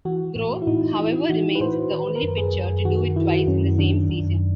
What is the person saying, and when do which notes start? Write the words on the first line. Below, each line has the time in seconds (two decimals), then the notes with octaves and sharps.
Grove, however, remains the only pitcher to do it twice in the same season.
0.05 E3 F#4
0.36 A2
0.62 E4
0.67 A2 D#4
0.98 E3 E4
1.29 E3 F#4
1.55 B4
1.60 A2 C5
1.91 D#3 B4
2.15 A#4
2.23 F#2
2.38 G#4
2.54 F#2
2.85 D#3 F#4
3.16 D#3 E4
3.47 F#2 C#4
3.78 D#3 D4
4.10 F#2